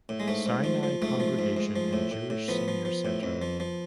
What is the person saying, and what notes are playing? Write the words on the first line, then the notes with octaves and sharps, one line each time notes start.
Sinai Congregation and Jewish Senior Center.
A2
G#3
G#2 A3
G#2
F3
F3
G#2 A3
F3
G#2
G#2
F3
A2
A2
A2
F3 B3
F3
F3
A2
F2
F3
F3